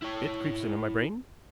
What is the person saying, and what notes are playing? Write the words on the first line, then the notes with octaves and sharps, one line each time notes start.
"It creeps into my brain."
E4 C#5